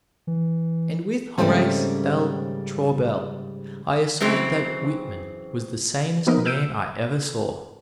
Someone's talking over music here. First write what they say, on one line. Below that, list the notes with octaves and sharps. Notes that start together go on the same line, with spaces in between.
And with Horace L. Traubel I assert that Whitman was the sanest man I ever saw.
E3
G#2 C#3 G3 A3 C4 C#4
C#3 E3 F#3 C4
F3 A#3 B3 D#4 A#4 D#5
E6 F6 G6 D7 D#7